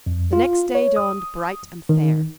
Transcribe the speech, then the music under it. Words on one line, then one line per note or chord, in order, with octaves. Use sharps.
The next day dawned bright and fair.
F2
F4
C#5
D#6
D#3